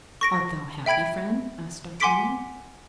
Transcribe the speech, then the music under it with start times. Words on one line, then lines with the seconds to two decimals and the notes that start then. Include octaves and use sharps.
"Art thou happy, friend?" asked D'Artagnan.
0.21 C#6 A#6 D7
0.86 E5 G5 B5 G#6 D7
2.00 F#5 G#5 C6 D6 B6 D7